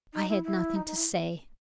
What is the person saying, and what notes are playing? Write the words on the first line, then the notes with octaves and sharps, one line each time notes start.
I had nothing to say.
D#4
E4
E4
D#4
D#4
E4